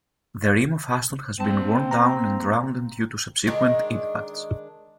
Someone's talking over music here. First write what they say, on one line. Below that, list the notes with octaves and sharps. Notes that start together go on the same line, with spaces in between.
The rim of Aston has been worn down and rounded due to subsequent impacts.
A#3 C4 G5 A5
A#5
D#3 G#3 D4